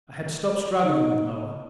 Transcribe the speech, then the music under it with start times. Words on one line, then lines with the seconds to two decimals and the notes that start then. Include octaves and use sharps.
I had stopped struggling with Moa.
0.85 D#4